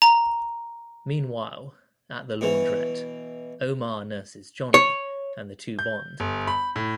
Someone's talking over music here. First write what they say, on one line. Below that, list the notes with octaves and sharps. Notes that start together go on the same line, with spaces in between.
Meanwhile, at the laundrette, Omar nurses Johnny, and the two bond.
A#5
B2 E3
C#5
G6
G1
B5
A2